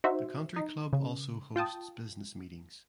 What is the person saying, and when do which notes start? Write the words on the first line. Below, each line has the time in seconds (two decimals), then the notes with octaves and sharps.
The country club also hosts business meetings.
0.04 D#4 F#4 C5 E5
0.56 D#4
0.93 C#3
1.56 F4 G5 A5 D#6